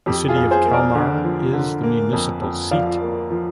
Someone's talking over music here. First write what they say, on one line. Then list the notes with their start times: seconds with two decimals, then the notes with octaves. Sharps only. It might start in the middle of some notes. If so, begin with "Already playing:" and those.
The city of Kalmar is the municipal seat.
0.06 F2 G4
0.28 F4 G#4
0.36 F2
0.51 G#4 C5
0.65 A#3
0.73 A#4 D5
0.95 D3
1.24 F3
1.53 D3
1.83 A#3
2.13 F2
2.42 F2
2.71 F3 D5 F5
3.01 A#3
3.30 F3